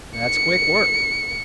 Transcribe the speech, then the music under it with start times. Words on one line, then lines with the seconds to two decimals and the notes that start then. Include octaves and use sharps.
That's quick work.
0.19 C#7